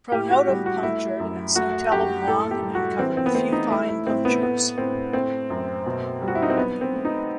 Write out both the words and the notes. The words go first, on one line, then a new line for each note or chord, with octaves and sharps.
Pronotum punctured and scutellum long and covered with few fine punctures.
A2 G4
F#4
G3 G4
F#4
A3 E4
F#2
A3 F#4
F#2 G4
A2 A4
G4
G3
F#4
E3 C4
C4
B3
A3 C4
D#4
A3 E4
E4
A2 C4
B3
A3 B3
A2 C4
A3 C4
F#2
B2
G3
F#4
E4
D#4
C4
F#3 B3
C4
A3
D#4